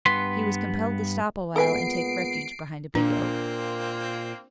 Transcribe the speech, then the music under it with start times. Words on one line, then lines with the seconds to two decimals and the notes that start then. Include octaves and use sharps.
He was compelled to stop a while and take refuge behind a big oak.
0.06 G2 B3 B4 B5 C6
1.56 A#2 G#3 B3 A4 B4 G#5 C7 D7
2.95 A#2 A#3 C4 D4 F4